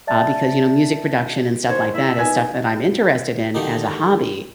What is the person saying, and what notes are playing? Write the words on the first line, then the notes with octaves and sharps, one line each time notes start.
uh, because, you know, music production and stuff like that is stuff that I'm interested in as a hobby,
D5 E5 A5 A6
D#3 D#4 C5 C#5
E4 E5
B3 D#4 G#5 G#6
D3 D#3 D4 D#4 G4